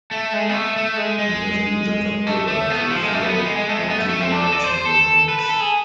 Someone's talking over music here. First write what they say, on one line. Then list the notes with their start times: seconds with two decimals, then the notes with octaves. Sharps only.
He has been the top giver to fellow party members in the House.
0.11 A3
0.33 G#3
0.49 B3
0.54 A3
0.76 A3
0.97 G#3
1.19 G#3
2.27 A3
2.48 A3
2.70 B3
2.81 A3
2.91 F3
3.01 G#3
3.13 A3
3.24 B3
3.34 B3
3.45 G#3
3.56 G#3
3.69 A3
3.77 G#3
3.90 B3
3.98 A3
4.09 A3
4.20 C4
4.32 D4
4.41 A4
4.52 D5
4.64 C5
4.74 C5
4.85 A4
5.29 B4
5.39 B4
5.49 A4
5.60 G#4